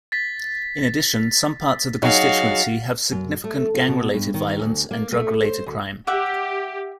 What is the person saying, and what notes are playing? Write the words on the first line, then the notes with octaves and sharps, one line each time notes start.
In addition, some parts of the constituency have significant gang-related violence and drug-related crime.
A6 B6
F#3 D#4 F#4 G#4 F5
F#2
A3
F4
B2
G2
D#3
D2
A#3
A3
C5
D2
G4 E5 F#5 D6